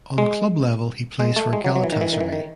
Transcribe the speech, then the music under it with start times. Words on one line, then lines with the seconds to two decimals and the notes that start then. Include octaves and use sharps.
On club level he plays for Galatasaray.
0.18 G#3
1.20 G#3
1.36 A3
1.53 G#3
1.64 F#3
1.76 F#3
1.84 E3
1.92 D#3
2.01 E3
2.13 D#3
2.21 E3
2.33 D#3